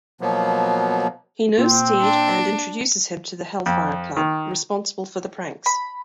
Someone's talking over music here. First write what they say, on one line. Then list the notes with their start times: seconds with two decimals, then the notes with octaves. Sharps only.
He knows Steed and introduces him to the Hellfire Club, responsible for the pranks.
0.21 B2 F3 F#3 A#3 B3
1.58 A#2 C4
2.00 D4
3.66 F2
4.17 D#3
5.66 B5